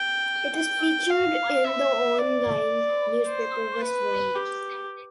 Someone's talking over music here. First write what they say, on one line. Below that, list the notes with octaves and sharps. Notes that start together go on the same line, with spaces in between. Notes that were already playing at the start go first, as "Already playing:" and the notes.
It is featured in the on-line newspaper "West Word".
Already playing: G5
G5
F5
E5
D5
C5
B4
G4